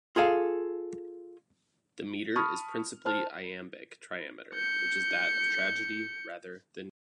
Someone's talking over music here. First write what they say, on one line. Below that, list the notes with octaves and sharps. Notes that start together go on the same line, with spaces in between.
The meter is principally iambic trimeter, which is that of tragedy rather than comedy.
F4 G#4 A4 F5
A5 B5 C#6 D#6 F6
C5 A5 F6
G6 C#7